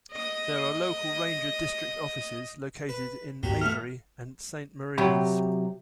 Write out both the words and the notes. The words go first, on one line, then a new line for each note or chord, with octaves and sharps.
There are local ranger district offices located in Avery and Saint Maries.
D#5 D#6
B4
D2 G#2 F#3 B3 G4
A1 A3 F6
C3 F#3 G4 B5